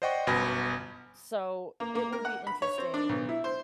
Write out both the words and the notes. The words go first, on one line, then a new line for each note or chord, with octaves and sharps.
So, it will be interesting.
C5 D5 D#5 F#5 G5 C#6
G1 F#2 B2 G#5 B5 A#6
A#3
A#3
A#4
F#5
B5
C#5
C4
D4
B1
E4
C5